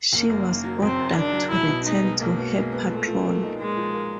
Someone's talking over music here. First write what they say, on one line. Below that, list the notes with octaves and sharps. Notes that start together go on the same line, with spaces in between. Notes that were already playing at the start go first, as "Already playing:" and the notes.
She was ordered to return to her patrol.
F#1 A#3
F#2
D#3
F#3
F#1 C4
F#2
D#3 D4
F#3
B1 E4
B2
G#3 D#4
B3
B1 A#3
B2
G#3
B3
A#2 A3
F3
A#3
D#4
A#2 G#3
F3
A#3